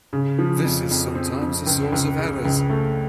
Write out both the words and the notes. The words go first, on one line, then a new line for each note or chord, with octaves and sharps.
This is sometimes a source of errors.
C#3
F3
F2
F2
C4
F2
C#2
C#2
C#3
C#2
A3